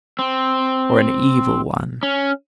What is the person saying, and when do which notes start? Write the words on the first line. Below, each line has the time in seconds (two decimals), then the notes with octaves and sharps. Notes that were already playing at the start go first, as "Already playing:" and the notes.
Or an evil one?
0.19 C4
2.03 C#4